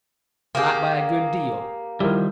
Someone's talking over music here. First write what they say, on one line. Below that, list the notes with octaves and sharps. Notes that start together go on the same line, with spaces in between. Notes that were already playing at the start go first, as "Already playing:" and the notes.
Not by a good deal.
A#3 G4 G#4 F5
D#3 F3 G3 E4 A#4